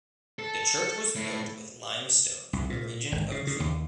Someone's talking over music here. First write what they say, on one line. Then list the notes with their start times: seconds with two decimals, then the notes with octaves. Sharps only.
The church was built with limestone from the region of Creil.
0.39 A4
1.15 A2
2.53 C2
2.70 A#2
3.12 G#1
3.31 C#3
3.47 C#3
3.60 D#2